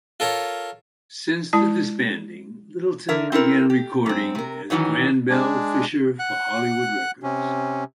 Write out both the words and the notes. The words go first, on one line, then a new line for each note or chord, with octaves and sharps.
Since the disbanding, Littleton began recording as Gran Bel Fisher for Hollywood Records.
F4 A4 A#4 C#5
G#3 E4 A5
D3 A#4 E5
C4 E4 A4 A#4
G4
F#2 C4
C3 A#4
F#2 D#3 E3 F#3 D#4
G#3 D4
F#5 F#6
C3 C#4